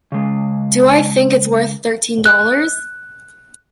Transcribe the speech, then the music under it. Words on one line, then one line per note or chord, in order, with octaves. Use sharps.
Do I think it's worth thirteen dollars?
C#3 G#3
F#6